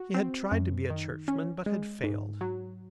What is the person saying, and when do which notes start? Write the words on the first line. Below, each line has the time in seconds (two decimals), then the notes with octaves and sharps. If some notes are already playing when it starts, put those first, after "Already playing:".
He had tried to be a churchman but had failed.
Already playing: F#4
0.14 C4
0.51 F#2
0.90 D#3
1.28 C#4
1.66 G#3
2.04 G#2
2.41 F#3